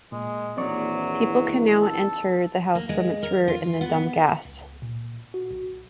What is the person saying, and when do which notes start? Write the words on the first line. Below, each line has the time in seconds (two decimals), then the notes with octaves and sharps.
People can now enter the house from its rear in the Domgasse.
0.12 A#2 G#3
0.57 A#1 D#2 E3 F#3 C4 D5 C#6
1.82 A4
2.75 A#3
2.89 G#3
3.23 A#4
3.48 F4
3.81 B3
4.45 C#2
4.82 A#2
5.34 F#4
5.51 B1